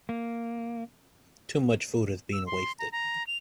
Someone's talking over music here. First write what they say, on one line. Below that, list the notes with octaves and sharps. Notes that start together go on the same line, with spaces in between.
Too much food is being wasted.
A#3
E6
C6
A#5
A#5
F7